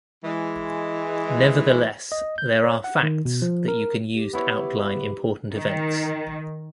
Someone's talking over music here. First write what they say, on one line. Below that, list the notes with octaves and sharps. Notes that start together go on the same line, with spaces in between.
Nevertheless, there are facts that you can use to outline important events.
E3 G#3
D#5
G6
C#5
F#5
D#3
B2
F3
A#4
G4
B3 E4 B4 C#5
D#3